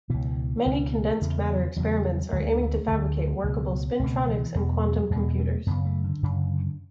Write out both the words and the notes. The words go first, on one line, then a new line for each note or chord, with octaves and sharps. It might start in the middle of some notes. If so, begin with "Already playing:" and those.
Many condensed matter experiments are aiming to fabricate workable spintronics and quantum computers.
C#2 B2 E3
C#2 B2
E2 C#3
E2 C#3 F#3
D2 D3 G#3
A3
D2 D3
C#2 B2
C#2 B2 A3
E3
E2 B2 F#3
E3
F#3
E2 B2 G#3
A3
F#2 C#3 B3
A3
D3
F#2 C#3